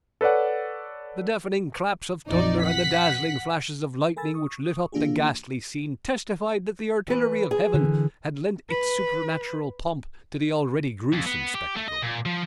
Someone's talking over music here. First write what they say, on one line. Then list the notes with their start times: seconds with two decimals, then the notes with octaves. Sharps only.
The deafening claps of thunder and the dazzling flashes of lightning which lit up the ghastly scene testified that the artillery of heaven had lent its supernatural pomp to the already gruesome spectacle.
0.21 A4 B4 C#5 D5 F#5
2.28 A#1 F2 D#4 D5
2.62 F#5 B6
4.17 A4 A#4 G#5 B5 E6 A6
4.34 C#6 D#6
4.92 E3 A#3 D4 F4 G4 G#4
7.08 E3 B4
7.51 G#4
7.74 D3 E3
8.69 B4
11.13 F2
11.26 B3
11.55 G4
11.76 A3
11.88 D#5
12.02 A#2
12.26 F3